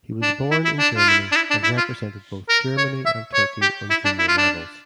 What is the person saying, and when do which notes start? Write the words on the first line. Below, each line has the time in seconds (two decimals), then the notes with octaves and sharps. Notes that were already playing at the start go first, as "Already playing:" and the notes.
He was born in Germany and represented both Germany and Turkey on junior levels.
0.22 D4
0.51 E4
0.65 E4
0.79 D4
0.97 F4
1.08 E4
1.32 D4
1.36 E4
1.50 D4
1.64 E4
1.78 F4
2.49 A#4
2.78 C#5
3.06 E5
3.34 C#5
3.62 G4
3.90 E4
4.05 D4
4.19 E4
4.28 F4
4.38 D4